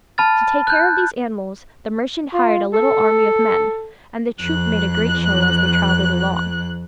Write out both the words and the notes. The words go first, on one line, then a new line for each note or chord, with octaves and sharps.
To take care of these animals the merchant hired a little army of men; and the troop made a great show as they travelled along.
A5 B5 F6 A6
F#6 G6
F4
A4
F2 F#6